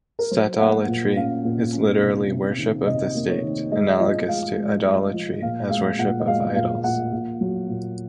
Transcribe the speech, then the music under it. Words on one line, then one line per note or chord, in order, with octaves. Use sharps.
Statolatry is literally worship of the State analogous to "idolatry" as worship of idols.
A#4
F#3 C5
A#3 F#5
A#2
C#4 F5
A#2
C#4
C3
C3
D#3
C3 D#5
A#3
C#5
D#3
G#3 D#5
F3 D#5
G#3 F5
G#3
G#3
F3
A#2 F5
G#3 F5
A#2 F#5
D#5
G#3 F5
A#2 F5
A#2 F#5
A#2
F#3
A#2